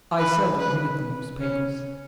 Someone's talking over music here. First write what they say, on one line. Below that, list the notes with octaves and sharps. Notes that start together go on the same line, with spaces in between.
"I seldom read the newspapers."
B4
B4
C#4